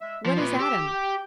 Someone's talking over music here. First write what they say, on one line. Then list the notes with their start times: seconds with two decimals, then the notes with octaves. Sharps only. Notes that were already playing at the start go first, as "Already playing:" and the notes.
What is Adam?
0.01 G#3 E5
0.26 F3 F4
0.38 A#2 B4
0.60 G4 E6
0.92 G5